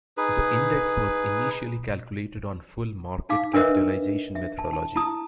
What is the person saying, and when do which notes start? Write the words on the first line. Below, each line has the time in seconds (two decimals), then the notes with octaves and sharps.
The index was initially calculated on full market capitalisation methodology.
0.17 D#4 G#4 B4
3.29 D#4 F5 D6
3.53 D4 A#4 B4 C#5 D#5 E5
4.35 E5
4.59 A5
4.73 A5
4.96 E4 A5 A#5 D#6